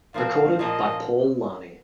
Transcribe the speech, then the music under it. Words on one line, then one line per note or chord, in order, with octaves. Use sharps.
Recorded by Paul Lani.
A#2 F3 C4 F5
A#2 F3 C4 D#5